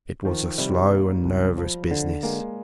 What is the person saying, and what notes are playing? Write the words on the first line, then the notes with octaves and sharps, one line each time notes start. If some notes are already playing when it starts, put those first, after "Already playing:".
It was a slow and nervous business.
D#3 F3
C3 G3
A#3
C2
F3
D3
G#3 A#3